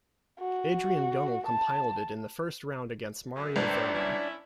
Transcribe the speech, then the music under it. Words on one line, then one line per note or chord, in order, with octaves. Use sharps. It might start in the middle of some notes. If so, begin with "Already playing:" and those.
Adrian Gunnell compiled it in the first round against Mario Wehrmann.
F#4
A5
F#2
G1 A2 A#3 D4 D5
C4 A4
C#4 E4